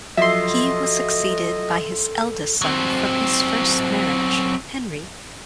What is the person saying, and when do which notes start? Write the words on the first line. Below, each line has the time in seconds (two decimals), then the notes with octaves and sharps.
He was succeeded by his eldest son from his first marriage, Henry.
0.17 F3 F#3 A4 D#5 E5 C6
2.62 F#3 C4